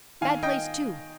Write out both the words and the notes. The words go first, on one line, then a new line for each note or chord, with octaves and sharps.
Bad place, too.
D#3 F5 G#5
D#5 G5